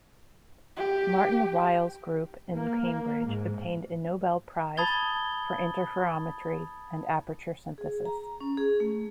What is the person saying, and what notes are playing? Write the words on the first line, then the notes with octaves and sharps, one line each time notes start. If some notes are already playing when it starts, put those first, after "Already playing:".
Martin Ryle's group in Cambridge obtained a Nobel Prize for interferometry and aperture synthesis.
G4
A#3
G#2
A5 B5 D#6 G#6 A6 G7
G#4
A#5
C#4
G#4
A3